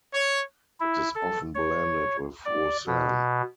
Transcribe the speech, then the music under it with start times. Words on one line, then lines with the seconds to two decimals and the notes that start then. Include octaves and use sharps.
It is often blended with Roussanne.
0.12 C#5
0.80 E4
1.15 A4
1.55 C#5
2.45 D5
2.87 B2